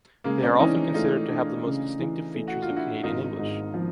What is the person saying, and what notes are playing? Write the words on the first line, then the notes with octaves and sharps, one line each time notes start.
They are often considered to have the most distinctive features of Canadian English.
C#3 G#3 A#3
C4 D4
E3 C#4 D#4
A3 D#4 F4
D4
C#3
E3
A3
F#4
F4
D4
E4 F#4
G#1 D#4 F4
G#2
F3